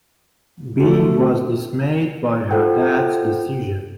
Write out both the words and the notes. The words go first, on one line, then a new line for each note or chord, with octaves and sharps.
Bea was dismayed by her dad’s decision.
D3 A3 F#4
F4 F#4 A4 C5 F#5 G5